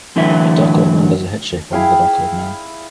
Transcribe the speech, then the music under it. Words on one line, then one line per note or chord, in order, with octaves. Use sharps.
A dark colored man does a head shave for another dark colored man.
A2 D3 E3 F#3 E5
E4 G#4 F5 G5